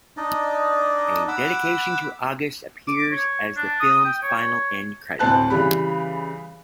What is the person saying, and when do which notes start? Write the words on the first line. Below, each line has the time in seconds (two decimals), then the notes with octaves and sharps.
A dedication to August appears as the film's final end credit.
0.17 D4 D#4 D5 D#5
1.28 F#5 B5 D6 E6
2.87 D6
3.11 C#5
3.56 D4
3.80 D#6
4.04 G5
4.22 C#5
5.19 D2 A2 C4 A5 F#6
5.50 C#3 E3 G3 B5